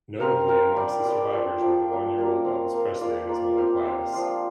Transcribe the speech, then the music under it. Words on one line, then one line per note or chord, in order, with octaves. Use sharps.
Notably, amongst the survivors were the one-year-old Elvis Presley and his mother, Gladys.
C4 A#4 F5
C4 A#4 F5
G3 D4 G4 D5
G3 D4 G4 D5
F3 D4 G4
F3 D4 G4
A#3 D4 A#4
A#3 D4 A#4
C4 A#4 F5
C4 A#4 F5
A#3 F4 A#4 D5
A#3 F4 A#4 D5
C4 G4 C5 F5
C4 G4 C5 F5
F3 D4 F4